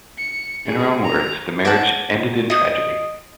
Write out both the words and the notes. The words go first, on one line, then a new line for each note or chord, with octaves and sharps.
In her own words, the marriage 'ended in tragedy'.
C#7
G#4
A#5
C#5 F#5 A5 D6
D#5 D#6